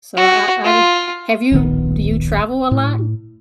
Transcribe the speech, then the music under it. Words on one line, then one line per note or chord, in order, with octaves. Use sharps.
So, I I don't have you do you travel a lot?
F#4
F4
D1 A#1 D#3 B3
A2